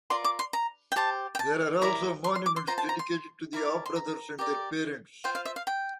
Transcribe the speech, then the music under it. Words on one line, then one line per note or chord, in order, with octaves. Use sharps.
There are also monuments dedicated to the Aw brothers and their parents.
F4 A#4 D5 C6
D6
C6
A#5
G5
G4 C5 A5
G5
A5
E4 A#4 D5 A#5
C6
C6
D6
C6
F4 C5 A#5
A5
A#5
C6
E4 A#4 D5
C6
A#5
G4 A#4 D5
F4 C5 G5
F5
E5
F5
G5